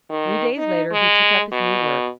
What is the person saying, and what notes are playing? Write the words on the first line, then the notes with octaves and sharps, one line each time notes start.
Three days later he took up his new work.
D#3
D#4
G#3
B2